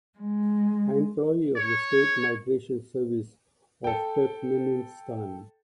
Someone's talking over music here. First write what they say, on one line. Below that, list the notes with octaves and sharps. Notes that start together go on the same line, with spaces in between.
Employee of the State Migration Service of Turkmenistan.
G#3
C#5
A4 G5